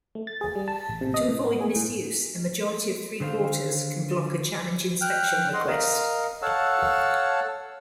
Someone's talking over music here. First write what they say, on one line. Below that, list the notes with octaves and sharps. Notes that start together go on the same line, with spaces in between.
To avoid misuse, a majority of three quarters can block a challenge inspection request.
A3
A6
G#4
G3
A5
A1
C3
D#5
A2
B3
G#4
A2
D3 D#3 C5 D5 F5
G5 F6 F#6
D#5 F#5 C6
A#4 D#5 F5
A4 C#5 F5 F#5 A5 E6